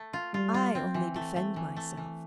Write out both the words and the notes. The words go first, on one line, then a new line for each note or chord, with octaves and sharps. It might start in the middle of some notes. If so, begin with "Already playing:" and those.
I only defend myself.
Already playing: A3
F4
G3 F4
F4
C4
E3
A3
A3
E3
A3
E3